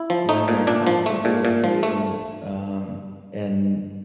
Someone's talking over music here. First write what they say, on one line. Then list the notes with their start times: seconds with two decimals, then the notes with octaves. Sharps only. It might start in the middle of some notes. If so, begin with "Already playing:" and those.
when they're comfortable with you, um, and
Already playing: E4
0.10 F3
0.29 A3 D#4
0.48 A#2
0.67 A#2 D4
0.87 F3
1.06 A3
1.25 A#2
1.45 A#2
1.64 F3
1.83 A3